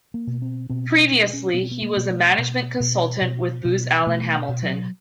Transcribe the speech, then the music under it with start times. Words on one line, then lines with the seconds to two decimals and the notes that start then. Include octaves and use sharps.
Previously, he was a management consultant with Booz Allen Hamilton.
0.14 A#3
0.27 B2
0.42 C4
0.69 B2 C4
0.91 C#4
1.12 B2 D4
1.33 C#4
1.53 B2 B3
1.63 C4
1.71 B3
1.82 A#3
1.97 B2
2.10 A3
2.38 B2
2.80 B2
3.21 B2
3.65 B2
4.07 B2 A3
4.49 B2
4.63 F#3